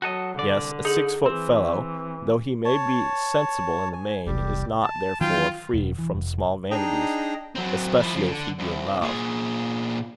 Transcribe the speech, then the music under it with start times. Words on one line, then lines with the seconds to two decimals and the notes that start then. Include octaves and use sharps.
Yes, a six-foot fellow, though he may be sensible in the main, is not, therefore, free from small vanities, especially if he be in love.
0.02 F#3 F#4 A4 D#5
0.35 C2 D3 D5
0.85 D#4 G#4 F#7
1.26 E3 C4
2.65 C#5 A5
3.93 G#5
4.26 E1 C2 G3 G4
4.83 A5
5.21 D#3 F#3 F4 G5
5.74 E1
5.98 E3
6.13 F1
6.71 D4 D#4 G#4 D#5 G5 A#5
7.55 F#3 C4
8.00 F3 E4
8.14 C#3 F3
8.30 D3
8.59 C2
9.02 A#2 G#4